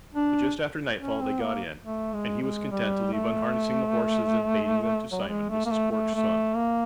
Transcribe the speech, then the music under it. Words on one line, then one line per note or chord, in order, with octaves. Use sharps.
But just after nightfall they got in, and he was content to leave unharnessing the horses and baiting them to Simon, Mrs. Cork's son.
D4
C#4
C4
A#3
A3
G#3
G#3
G3
A3
F#3
G3
G#3
A3
A#3
A3
A3
A3
A#3